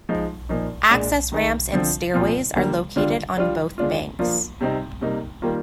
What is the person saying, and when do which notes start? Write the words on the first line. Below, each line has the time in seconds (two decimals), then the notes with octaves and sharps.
Access ramps and stairways are located on both banks.
0.09 F3 G#3 D#4
0.49 A#2 F3 A#3 D#4
0.90 A#2 G#3 D4
1.32 D#3 G#3 D#4
1.73 D3 F3 C4
2.14 A#2 F3 C4 F4
2.55 D3 G3 A#3
2.96 D3 G3 D4 F4
3.37 G3 D4 F4
3.78 D3 G#3 D4 F4
4.19 F3 A#3 D4 F4
4.61 C3 G3 C4 D#4
5.01 C3 G3 A#3 D#4
5.42 D#3 G3 A#3 F4